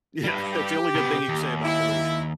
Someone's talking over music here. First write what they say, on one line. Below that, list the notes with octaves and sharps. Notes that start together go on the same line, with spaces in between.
Yeah, it's the only good thing you can say about pollution.
G3 B4
G4
C3 B3
D#2
E4